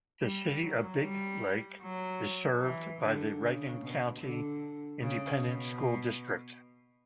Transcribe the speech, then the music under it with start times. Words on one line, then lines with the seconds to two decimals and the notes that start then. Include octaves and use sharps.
The City of Big Lake is served by the Reagan County Independent School District.
0.22 G3
0.62 F#3
1.02 G3
1.82 F#3
2.61 E3
3.01 D3
3.41 C#3
3.81 B2
4.21 D3
5.01 C#3
5.41 B2